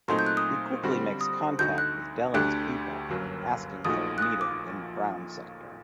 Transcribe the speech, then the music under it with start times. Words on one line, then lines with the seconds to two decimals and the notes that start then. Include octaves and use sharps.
He quickly makes contact with Delenn's people asking for a meeting in brown sector.
0.08 A#2 F#3 A3 C4 D#4 C6
0.19 G6
0.26 F#6
0.37 D#6
0.83 D3 G3 C4 F#4
1.21 D#6
1.59 D2 D3 A3 D#4 F#4 G6
1.78 F#6
2.34 D2 D3 A3 D4 G4 F#6
3.09 G1 F#2 F#3 A#3
3.85 A#1 A#2 A3 D#4 F#4 D#6
4.18 F#6
4.22 D#6
4.41 D6